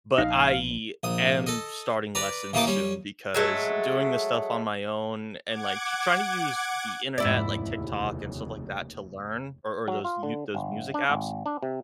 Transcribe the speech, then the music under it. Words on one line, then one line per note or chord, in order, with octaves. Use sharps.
but I am starting lessons soon because doing this stuff on my own and, like, tr trying to use the internet, like TikTok and stuff like that, to learn or or those you those music apps.
A#1 D#4 F5
A#1 D#6
A4 D#5
B4 D5 A#5
A1 E3 A#3 D#4 A5 D6
G3 C#4
F#3 G#3 A3
F#5 D6 G#6
F1 D#2 G#2 C#3 E4 D5
F#3
F4
D3
G1
D4
G#1
D4
C3